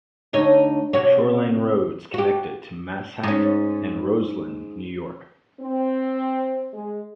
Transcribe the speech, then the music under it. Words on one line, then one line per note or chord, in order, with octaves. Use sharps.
Shoreline roads connect it to Manhasset and Roslyn, New York.
D2 D#4 C#5
C3 F#4 C#5
F#4 G4
G#2 C#4
C4
G#3